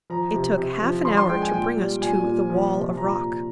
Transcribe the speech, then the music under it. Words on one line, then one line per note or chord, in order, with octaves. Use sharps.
It took half an hour to bring us to the wall of rock.
F3 A#5
C3
C3
F3
D3 C6
C6
G#3 G5
G#5
A#2 G5
G3
A#2 G#5
A#2
F3
C3
A#2 A#5
A#2